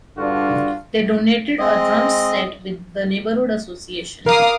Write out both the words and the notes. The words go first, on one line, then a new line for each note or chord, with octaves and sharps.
They donated a drums set with the neighborhood association.
G2 D3 D4 F4 F#4
G#3 C4 D#5
A#4 F5 D6 D#6